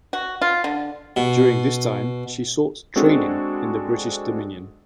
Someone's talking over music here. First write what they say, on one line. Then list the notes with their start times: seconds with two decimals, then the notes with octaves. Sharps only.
During this time she "sought training in the 'British Dominion'".
0.13 F#4
0.42 F4
0.64 D3
1.16 B2
2.96 G#3 C4 D4 F#4 G#4 A4